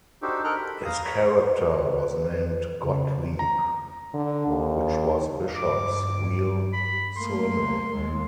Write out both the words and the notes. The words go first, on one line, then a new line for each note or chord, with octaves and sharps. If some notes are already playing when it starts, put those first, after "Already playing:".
His character was named Gottlieb, which was Bishop's real surname.
D4 D#4 F#4 G4 A4 C5
A4 A#4 D#5 A#5 F6 F#6
B5
F5 A#5 D#6
C#5 A#5 B5
B4
C#3
A#5
D3
D#2
G2 D6
B5
A3 A#3 C6
D#2 G#3